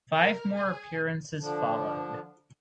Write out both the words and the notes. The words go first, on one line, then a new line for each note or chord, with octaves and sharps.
Five more appearances followed.
A#4
G#4
D3 F3 D4